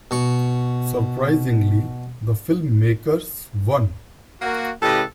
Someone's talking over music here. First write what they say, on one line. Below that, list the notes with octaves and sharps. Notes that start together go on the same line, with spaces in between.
Surprisingly, the filmmakers won.
B2 C#6
A#3 F#4
A2 C#3 G4 A4 B4 D#5